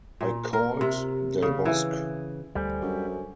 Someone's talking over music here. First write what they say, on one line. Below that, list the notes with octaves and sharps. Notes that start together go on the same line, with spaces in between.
I called Del Bosque.
A#2
A#4
C3
C#3
E3
D2 G3 A4 C5 G#5
F#2 D4